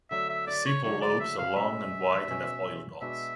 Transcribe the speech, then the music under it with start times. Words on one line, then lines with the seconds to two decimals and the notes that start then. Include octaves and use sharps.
The sepal lobes are long and wide and have oil dots.
0.11 D3 F#3 A3 D4 E5
0.30 E5
0.47 D5
0.66 C#5
0.84 D3 F#3 A3 D4 C#5
1.02 D5
1.20 E5
1.38 F5
1.56 B2 G#3 C#4 E5
2.28 B2 G#3 C#4
3.02 B2 G#3 B3 D4 F#4 E5